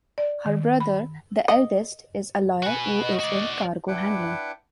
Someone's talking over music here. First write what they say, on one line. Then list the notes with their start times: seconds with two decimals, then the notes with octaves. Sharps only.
Her brother, the eldest, is a lawyer, who is in cargo handling.
0.18 D5
0.46 D#3
0.80 B5
1.48 D#5
2.63 F#4 B4 G#5
3.01 D#5
3.20 F#4 D5
3.88 D4 E4 B4 F#5 G5 D6